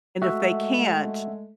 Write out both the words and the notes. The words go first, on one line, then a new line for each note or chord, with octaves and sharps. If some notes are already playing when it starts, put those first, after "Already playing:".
And if they can't
G#3 A3 F#4 E5 F#5 E6